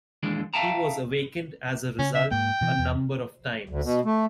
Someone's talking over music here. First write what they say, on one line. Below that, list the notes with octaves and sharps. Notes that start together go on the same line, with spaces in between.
He was awakened as a result a number of times.
D#2 E3 G#3 D4
E5 F5 G5 A5 A#5
C#3 C#4
E5
G#2 A#3 G5
B2 E3
E2
D2
B2
A3